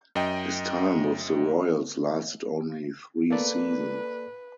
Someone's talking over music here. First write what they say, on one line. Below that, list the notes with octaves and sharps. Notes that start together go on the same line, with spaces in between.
His time with the Royals lasted only three seasons.
F#2 D#5 G5
A#3 A4 B4 D5